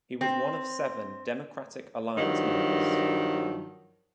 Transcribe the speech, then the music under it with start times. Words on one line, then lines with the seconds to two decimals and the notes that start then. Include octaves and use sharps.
He was one of seven Democratic Alliance members.
0.21 C4
2.17 G2 D#3 F3 F#3